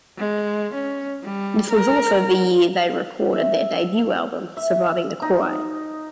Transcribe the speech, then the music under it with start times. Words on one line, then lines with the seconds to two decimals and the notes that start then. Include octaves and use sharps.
This was also the year they recorded their debut album, "Surviving the Quiet".
0.18 G#3
0.74 C#4
1.24 G3
1.71 A#4
3.33 E5
4.57 E5
5.22 D#4